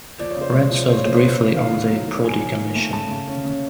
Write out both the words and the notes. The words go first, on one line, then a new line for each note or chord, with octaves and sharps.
Rehn served briefly on the Prodi Commission.
F3 D5
C#5
C#3 C5
G#3 C#5
F3
C#3 C5
C#5
C#3 C5
C#3 B4
F3
D#3 F5
D#3
F#3
D#3
F#3 G#5
D#3
D#3
A3
C#3 A5
C#3
C#4
C#3